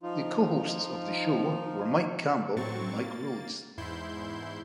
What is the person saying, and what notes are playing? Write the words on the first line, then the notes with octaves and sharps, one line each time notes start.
The co-hosts of the show were Mike Campbell and Mike Rhodes.
F3 D#4 F4
A2 F#3 C4 C#6 A6
A#3 A6
E2 G#2 E4 C6 G6